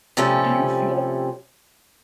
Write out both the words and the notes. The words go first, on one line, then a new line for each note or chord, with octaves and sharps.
do you feel
C3 F3 G3 A3 C#4